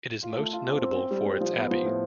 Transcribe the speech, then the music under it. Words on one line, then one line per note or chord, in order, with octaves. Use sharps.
It is most notable for its abbey.
F4
A3
F4
C4
C4
C4
G3
G3
F3
B3
F3
A2